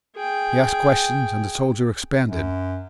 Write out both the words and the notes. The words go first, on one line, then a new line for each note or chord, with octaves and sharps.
He asked questions--and the soldier expanded.
G#4 G5
F#2